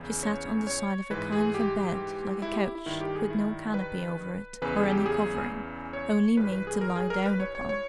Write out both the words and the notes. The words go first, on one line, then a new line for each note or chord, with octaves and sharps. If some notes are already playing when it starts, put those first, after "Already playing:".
She sat on the side of a kind of a bed like a couch, with no canopy over it, or any covering; only made to lie down upon.
Already playing: E2 C#3 E3
C#5
C#5
G#2 E3 B4
G#4
G4
E4
G4
E4
E4
G2 D#3 E4
G4
G#4
E4
B4
E2 C#3 E3 B4
G#4
G4
G#4
C#5
G2 E3 B4
B4
G#4
A#4
G#4
A#4
B4
C#5
C#5
C#5